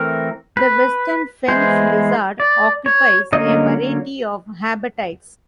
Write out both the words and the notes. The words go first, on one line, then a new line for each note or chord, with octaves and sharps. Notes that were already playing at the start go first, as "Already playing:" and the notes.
The western fence lizard occupies a variety of habitats.
Already playing: E3 A3 C4 A#4
B4
E3 G#3 B3 C5
D5
C#5
D3 F#3 A#3 C#4 D#5